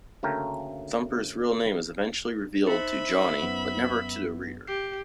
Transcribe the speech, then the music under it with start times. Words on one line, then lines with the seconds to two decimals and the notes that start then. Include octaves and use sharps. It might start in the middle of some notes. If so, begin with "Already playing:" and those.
Thumper's real name is eventually revealed to Johnny, but never to the reader.
0.23 D2 C#3 A3 A#3 A#4 G5
2.67 D#4 C5 E5 B5
3.42 F#2 B3
4.68 G4 C7